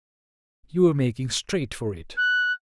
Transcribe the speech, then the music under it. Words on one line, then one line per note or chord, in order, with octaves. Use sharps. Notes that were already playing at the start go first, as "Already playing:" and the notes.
You were making straight for it.
F#6